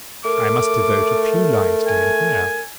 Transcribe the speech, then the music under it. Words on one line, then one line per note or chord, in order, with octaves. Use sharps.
I must devote a few lines to him here.
A3 A#4 D6
G#5